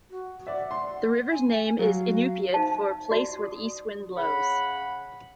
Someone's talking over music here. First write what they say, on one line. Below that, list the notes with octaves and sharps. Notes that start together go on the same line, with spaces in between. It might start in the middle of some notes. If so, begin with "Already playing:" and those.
The river's name is Inupiat for place where the east wind blows.
F#4
D5 E5 F#5
C6
G#5
F#3 F5
D#4 C5 F5 A5
F#4 D5
D#6
C#3 F#5 B5